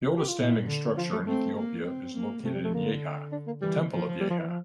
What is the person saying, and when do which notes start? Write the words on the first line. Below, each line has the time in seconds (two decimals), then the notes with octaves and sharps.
The oldest standing structure in Ethiopia is located in Yeha: the Temple of Yeha.
0.17 G4
0.28 F4
0.39 A#2 E4
0.67 D3
0.97 F3 F4
1.12 A3
1.26 A3 C4
1.56 A#3
1.86 C4
2.15 A#3
2.44 C3 A3
2.54 G3
2.64 A3
2.73 D3 A#3
3.32 D4
3.47 A#3
3.61 E3 G3
3.91 F3
4.20 G3
4.30 F3
4.39 E3
4.49 F3